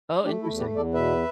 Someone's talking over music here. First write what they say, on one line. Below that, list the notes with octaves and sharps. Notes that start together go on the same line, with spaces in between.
Oh, interesting.
A3 D4 G4
E4 A4
E2
G4 B4
E2
A4 D5
B2 B4 E5